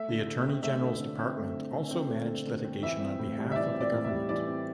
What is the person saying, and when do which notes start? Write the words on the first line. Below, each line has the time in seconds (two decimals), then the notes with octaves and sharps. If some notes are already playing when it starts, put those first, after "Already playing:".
The Attorney-General's Department also managed litigation on behalf of the government.
Already playing: A3 E5
0.09 D3
0.26 D3
0.45 C4
0.63 A3 E5
0.81 D3
1.00 D3
1.19 C4
1.37 A3
1.55 D3
1.73 D3
1.91 C4
2.10 A3
2.27 D3
2.47 D3
2.64 C4
2.82 E3 E5
3.01 C4
3.19 A2
3.38 G3
3.52 E5
3.56 E3 D5
3.74 C4
3.81 D5
3.92 A2
4.05 E5
4.10 G3
4.29 E3 D5
4.47 C4